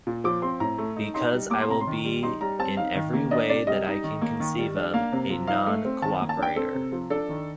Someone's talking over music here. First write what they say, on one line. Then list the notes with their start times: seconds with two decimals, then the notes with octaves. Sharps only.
Because I will be, in every way that I can conceive of, a non-cooperator.
0.07 A#2
0.24 F3 D6
0.42 C4 C6
0.60 A2 A#5
0.78 A3
0.97 D#4
1.14 D#4 C6
1.33 G3
1.50 A#3 D6
1.61 C6
1.69 C3 A#5
1.81 C6
1.87 D#3
2.05 G3
2.23 D#4 C6
2.41 G3 A#5
2.59 C4 A5
2.77 D#4 F5
2.95 D#3
3.13 A#3
3.31 D4 D#5
3.50 C3 D5
3.67 G3 D#5
3.86 D#4
4.04 D#3
4.21 A#3
4.40 D#3
4.58 G3
4.76 D4
4.94 A#3 F5
5.12 C3
5.30 F3
5.47 D#4 F5
5.67 A3
5.85 C4
6.02 D#3 A5
6.20 A#3
6.29 A5
6.38 D4 G5
6.56 C4 A4
6.74 C3
6.92 F3
7.10 D4 A4
7.29 D#3